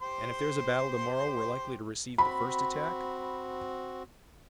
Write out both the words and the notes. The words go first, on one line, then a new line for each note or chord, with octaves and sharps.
"And if there's a battle to-morrow we're likely to receive the first attack?"
G4 C5 C6
C4 F#4 B5